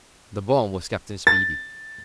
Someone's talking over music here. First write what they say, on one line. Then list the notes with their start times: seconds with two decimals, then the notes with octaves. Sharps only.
The bomb was Captain Speedy.
1.27 A6